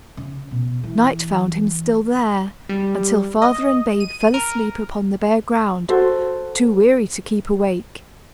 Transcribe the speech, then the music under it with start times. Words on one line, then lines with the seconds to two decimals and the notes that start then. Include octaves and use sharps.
Night found him still there, until father and babe fell asleep upon the bare ground, too weary to keep awake.
0.17 C#3
0.51 B2
0.83 E3
2.69 G3
3.42 D#5
4.00 D#7
4.34 A#4
5.89 F#4 A4 C5